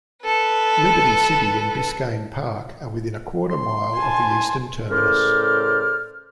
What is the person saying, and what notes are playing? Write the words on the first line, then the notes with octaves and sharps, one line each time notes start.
Liberty City and Biscayne Park are within a quarter mile of the eastern terminus.
A4 B4
C6
G#5 A5
A2 C#3 A#4 C5 D5 F6